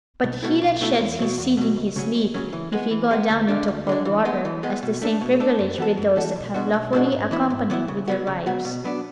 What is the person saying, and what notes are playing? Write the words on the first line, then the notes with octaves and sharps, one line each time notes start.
But he that sheds his seed in his sleep, if he go down into cold water, has the same privilege with those that have lawfully accompanied with their wives.
B1
B2 A3 E4
B1
B2 A3 E4
E2
B2 F#3
E2
B2 F#3
C#2
C#3 F#3 C#4
C#2
C#3 F#3 C#4
E3
G#3 B3
E3
G#3 B3
D2
D3 G#3 D4
D2
D3 G#3 D4
E3
G#3 B3
E3
G#3 B3
B2
A3 D4 A4
B2
A3 D4 A4
F#2
E3 B3 F#4 A4
F#2
E3 B3 F#4 A4
B1
B2 G#3 D4 F#4
B1
B2 G#3 D4 F#4
G#2
E3 B3 E4
G#2
E3 B3 E4
C#3
F#3 B3 F#4
C#3
F#3 B3 F#4
B2
F#3 B3 D4